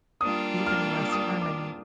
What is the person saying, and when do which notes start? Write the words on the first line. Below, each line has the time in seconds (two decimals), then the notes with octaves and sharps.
Even less harmony.
0.21 G3 A#3 D4 F4 D#6
0.66 F6
1.12 D#6
1.42 D6